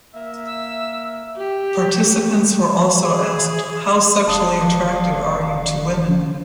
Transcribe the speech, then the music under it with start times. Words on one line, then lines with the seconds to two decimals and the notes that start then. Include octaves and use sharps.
Participants were also asked How sexually attracted are you to women?
0.14 A#3 E5
0.46 E6
1.37 G4
3.02 G#4
4.28 E1 D4 F5 A5 D#6